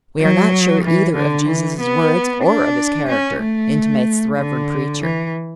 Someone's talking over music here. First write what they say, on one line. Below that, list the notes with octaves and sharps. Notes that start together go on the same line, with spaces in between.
We are not sure either of Jesus' words or of his character, intimates the Reverend preacher.
F#3
E3
D3
E3
B3
D4
C#4
A3
D3
E3